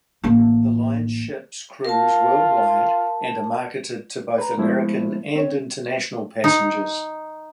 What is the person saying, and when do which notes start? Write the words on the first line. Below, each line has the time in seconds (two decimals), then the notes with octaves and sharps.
The line's ships cruise worldwide and are marketed to both American and international passengers.
0.24 A1 A#3
1.85 F4 A#4 A5
4.38 B4 A#5
4.58 F3 G#3 A3 B3 E4 C5
5.35 C4 C#5
6.44 D#4